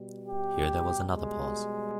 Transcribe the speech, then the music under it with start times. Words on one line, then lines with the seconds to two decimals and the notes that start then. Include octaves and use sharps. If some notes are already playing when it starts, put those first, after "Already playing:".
Here there was another pause.
Already playing: B2 G3
0.28 G4
1.12 G#3